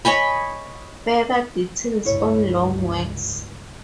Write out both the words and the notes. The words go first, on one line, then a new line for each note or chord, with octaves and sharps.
Further details on long works.
C#5 D#5 G#5 B5
C#2 G2 E4 C#5